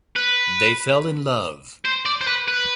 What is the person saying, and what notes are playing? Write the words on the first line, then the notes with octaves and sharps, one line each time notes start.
They fell in love.
B4
C5
D5
C5
B4
B4